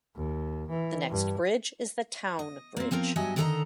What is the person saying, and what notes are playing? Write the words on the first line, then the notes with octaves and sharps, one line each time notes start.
The next bridge is the Town Bridge.
D#2
E3
G2
D#5
A#3 C4
F3 C4 F4 A#4
G2 F#3 D#5 E5 G#5
D3 D#3 G#4 A4 D#5 A#5